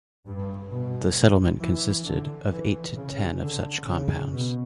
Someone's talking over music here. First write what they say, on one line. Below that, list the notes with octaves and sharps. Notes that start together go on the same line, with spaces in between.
The settlement consisted of eight to ten of such compounds.
G2
B2
E3
D3
E3
C#3
D3
C#3
B2